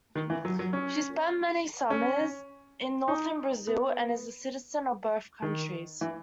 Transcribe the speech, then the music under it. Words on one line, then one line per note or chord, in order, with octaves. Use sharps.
She spent many summers in northern Brazil, and is a citizen of both countries.
D#3
E3
F#3
F#3
C#4
C#4
D#4
B3
D#3
E3